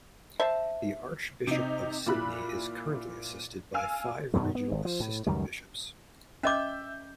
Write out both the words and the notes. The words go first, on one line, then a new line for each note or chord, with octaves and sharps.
The Archbishop of Sydney is currently assisted by five regional assistant bishops.
C5 E5 A5
C3 D#4
A#2 E4 B5 F#6
F5 G#5 E6 F6
F#2 B2 D#3 G#3
B3
G#1
F3
A2
C#2 F#2 D#3 G3
C#4 D#5 E5 D6 G6